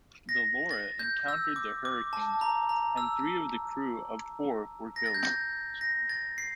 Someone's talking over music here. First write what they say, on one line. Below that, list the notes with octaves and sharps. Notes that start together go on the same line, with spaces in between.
The "Laura" encountered the hurricane, and three of the crew of four were killed.
A#6
A6
G6
E6
D6
D6
A5
A#5
A#5
E6
A#6
A6
G6
A6
A#6
A6
C7